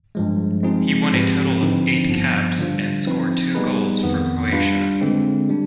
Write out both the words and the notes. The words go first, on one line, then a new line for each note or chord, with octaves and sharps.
He won a total of eight caps and scored two goals for Croatia.
G2 F3 G#3
F3 G#3 C4 D#4 G#4
G#2 F3 C4 G4 B4
D3 F3 C4 D#4 B4
G2 F3 B3
D3 G3 D4 F4 C5
F3 C4 D#4 B4
G3 B3 D#4 G#4 B4
F2 D#3 B3
G3 D4 F4 B4
D3 G#3 C4
G3 D4